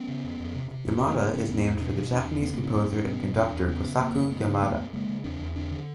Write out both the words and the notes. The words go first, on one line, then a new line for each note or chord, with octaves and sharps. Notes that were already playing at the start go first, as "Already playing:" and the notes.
Yamada is named for the Japanese composer and conductor Kosaku Yamada.
Already playing: B3 C#4
C#3
F2
F2
C3
C3
F2 B3 C#4
B3 C#4
F2
A3 B3
C#3 A3 B3
C#3 B3 C#4
E2 B3 C#4
E2
B2 C4 D4
B2
E2 C4 D4
E2
C#3 B3 C#4
A#3 C4
C#3
B3 C#4
F#2 B3 C#4
F#2 C4 D4
B2 B3 C#4
B2
E2 C4 D4
E2
C#3 B3 C#4
C#3
F#2 A#3 C4
F#2
C#3 A3 B3
C#3
F#2 A3 B3
F#2
C#3 G#3 A#3
C#3
E2 C4 D4
E2
D3 C4 D4
D3